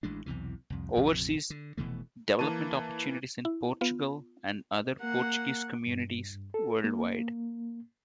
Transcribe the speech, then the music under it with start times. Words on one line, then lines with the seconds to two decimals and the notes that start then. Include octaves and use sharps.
Overseas, development opportunities in Portugal and other Portuguese communities, worldwide.
0.03 A1 E3 G#3 D4
0.26 B1 E2 C3 E3
0.70 C2 F2
0.96 A#1 F2 C3 F3
1.50 D3
1.78 F1 B2 E3 A3
2.39 E3 A#3 A5 D#7
3.45 E4
3.81 B3 F4
5.01 A#3 F#5
5.87 G2
6.54 A4
6.84 A#3